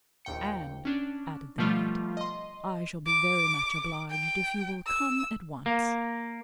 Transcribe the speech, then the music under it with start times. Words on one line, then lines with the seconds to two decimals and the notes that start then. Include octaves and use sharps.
"And," added the Knight, "I shall be very much obliged if you will come at once."
0.25 A#1 D#2 G5 C#7
0.85 C#4 D4
1.58 B2 F3 G3 A3 F4 F6
2.17 D#5 C6
3.06 D6
4.10 G5
4.86 E6
5.66 A#3